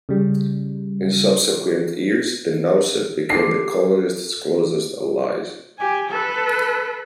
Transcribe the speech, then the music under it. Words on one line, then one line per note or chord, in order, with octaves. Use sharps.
In subsequent years, the Nauset became the colonists' closest allies.
C#3 G3
G4 A4 C6 C7
G4 G#5
A4 B4